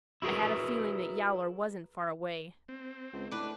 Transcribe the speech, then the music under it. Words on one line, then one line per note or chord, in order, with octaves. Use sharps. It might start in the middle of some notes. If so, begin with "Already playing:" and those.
I had a feeling that Yowler wasn't far away.
E4 F#4 G#4 A#4 B4
C4
C#2
A2 D4 B4